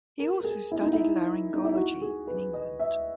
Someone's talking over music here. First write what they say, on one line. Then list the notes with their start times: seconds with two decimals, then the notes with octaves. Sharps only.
He also studied laryngology in England.
0.19 A#4
0.40 A#4
0.44 G#4
0.72 E4
0.82 D#4
0.93 E4
1.54 D#4
1.65 E4
1.75 F#4
2.02 G#4
2.27 B4
2.53 D#5
2.79 E5